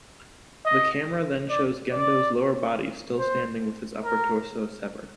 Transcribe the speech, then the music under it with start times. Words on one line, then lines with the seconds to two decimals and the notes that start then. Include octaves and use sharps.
The camera then shows Gendo's lower body still standing with his upper torso severed.
0.65 D#5
1.49 D5
1.92 D5
3.18 C5
4.03 A#4